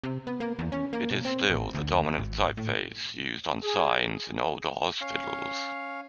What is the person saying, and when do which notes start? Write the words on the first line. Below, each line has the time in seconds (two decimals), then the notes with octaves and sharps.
It is still the dominant typeface used on signs in older hospitals.
0.04 C3
0.27 B3
0.40 A#3
0.59 E2
0.72 C#4
0.93 A#3
1.11 B2
1.25 C4
1.50 A1
1.75 D2
2.19 G#1
2.57 A2
3.63 G#4
5.01 C#4 F5